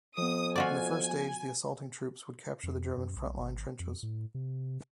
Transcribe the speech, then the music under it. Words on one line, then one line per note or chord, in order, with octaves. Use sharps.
In the first stage, the assaulting troops would capture the German front-line trenches.
F2 F3 B3 D#6
F4 F#4 D5 G#5
F2
F#2
B1
G#1
F2
A2
C3